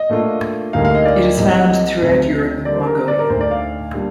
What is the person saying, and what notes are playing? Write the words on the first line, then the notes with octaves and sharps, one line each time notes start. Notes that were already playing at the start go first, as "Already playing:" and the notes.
It is found throughout Europe, Mongolia.
Already playing: D#5
A#2 A3 D4 F4
D2 D3 G3 A#3 D#4 F5
F5
D#5
D5
C2 A#2 G3 C4 F4 D#5
D#5
D2 C3 F3 C4 D#4
D3 G3 A#3 D#4 D5
C5
A#4
A#4
D5
A#4
D2 D3 A3 D#4 C5
D5
F5
A#2 G3 D4